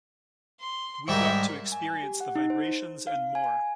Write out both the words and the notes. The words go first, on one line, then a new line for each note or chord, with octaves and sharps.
We got to experience the vibrations and more.
C6
G#2 G3 D#4 A#4 E5
G#5
G4
F#5
D#4
C5
F5
G#5